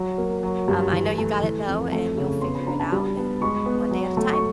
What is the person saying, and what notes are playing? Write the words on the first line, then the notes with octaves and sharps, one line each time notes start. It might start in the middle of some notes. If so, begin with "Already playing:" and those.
um, I know you got it though, and you'll figure it out, and one day at a time.
Already playing: F#3
A#3
F#3
G2
E3
A3
E3
F2
A3
C#3
B3 C6
B5
D4 A#5
A5 B5
G3
B3
G#3 B5 C#6
B3
F#3
A3
C#6